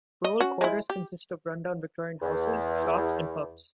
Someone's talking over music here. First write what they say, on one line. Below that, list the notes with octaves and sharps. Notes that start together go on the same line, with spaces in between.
Prole quarters consist of rundown Victorian houses, shops and pubs.
D#5
C#4 F#4
G#3 E4
G4
E2